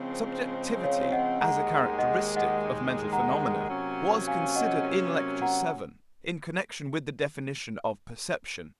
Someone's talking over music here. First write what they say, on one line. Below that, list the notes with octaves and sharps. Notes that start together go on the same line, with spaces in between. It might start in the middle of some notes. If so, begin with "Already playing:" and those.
Subjectivity, as a characteristic of mental phenomena, was considered in Lecture VII, in connection with the definition of perception.
Already playing: C#3 F3 G#3 C4
C#5 F5
D#5 F#5
D#2 D#3 G#3 F#5 A#5
D#5 F#5
D#5 F#5
F#5 A#5
C3 F#3 A#3 C#4
F5 G#5
D#5 F#5
F#5 A#5